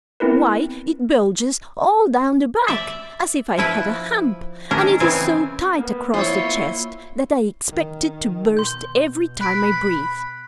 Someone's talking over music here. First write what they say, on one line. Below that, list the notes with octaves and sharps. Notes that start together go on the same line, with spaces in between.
Why it bulges all down the back, as if I had a hump, and it is so tight across the chest that I expect it to burst every time I breathe.
B3 C4 E4 A#4 B4
D5 E5
F3 E4 B4
D#3 C#4 D4 A#4
C#3 E3 C4 G#5
A#3 B3
B3 E4 F4 C#5
D#3
B2 C6 G6
B5 F#6 B6 D7